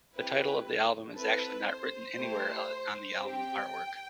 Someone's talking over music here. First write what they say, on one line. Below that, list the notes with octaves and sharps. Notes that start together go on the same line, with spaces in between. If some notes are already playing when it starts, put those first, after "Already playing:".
The title of the album is actually not written anywhere on the album artwork.
C4 E4 G4 B4
C4 E4 A4 B4
C5
A3 E4 G4
C4 G4 G5